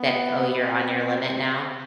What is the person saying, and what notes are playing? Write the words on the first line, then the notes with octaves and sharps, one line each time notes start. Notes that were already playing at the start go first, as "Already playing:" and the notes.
that, "Oh, you're on your limit now."
Already playing: B3
C4